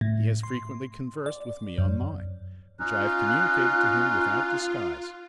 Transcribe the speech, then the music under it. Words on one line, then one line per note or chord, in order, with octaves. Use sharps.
He has frequently conversed with me on mine, which I have communicated to him without disguise.
A2
C6
D5
F#2
C#4 D#4 F4 F#6